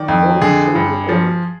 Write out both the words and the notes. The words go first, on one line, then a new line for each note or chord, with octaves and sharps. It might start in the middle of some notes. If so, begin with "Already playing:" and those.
Both soon recovered.
Already playing: D#3 D5
F2
D3 G#4
G2
F3